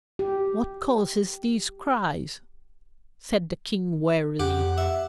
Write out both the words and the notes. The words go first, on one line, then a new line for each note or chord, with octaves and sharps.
"What causes these cries?" said the King wearily.
G4
F2 G4 F#5
E5